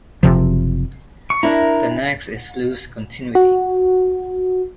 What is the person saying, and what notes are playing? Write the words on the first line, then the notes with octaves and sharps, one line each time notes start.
The next is loose continuity.
F#1 B1 C3 F3
C#6
D4 E4 A#4 A#5
F#4